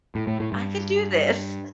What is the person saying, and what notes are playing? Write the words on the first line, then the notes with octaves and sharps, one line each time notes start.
"I can do this."
A2
A2
A2
G2